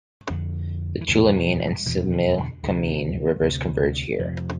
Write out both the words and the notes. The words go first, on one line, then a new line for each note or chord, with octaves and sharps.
The Tulameen and Similkameen Rivers converge here.
F2 D3
E3
E2 B2 D3
F3
E3
F3
E2 B2 E3
D3
D3
D2 C3
D2 C3
F2 C3 F3